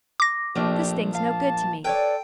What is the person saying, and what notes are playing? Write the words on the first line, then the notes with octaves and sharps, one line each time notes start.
This thing's no good to me.'
D6 A#6
A#1 F3 A3 D4 G4
F5 A5
A4 B4 C#5 D5 G5